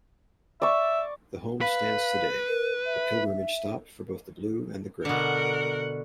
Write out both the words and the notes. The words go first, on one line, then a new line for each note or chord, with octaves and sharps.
The home stands today, a pilgrimage stop for both the Blue and the Grey.
D5 E5 C#6
B4 F5
A#4
E5
B2 D3 A#4 F#5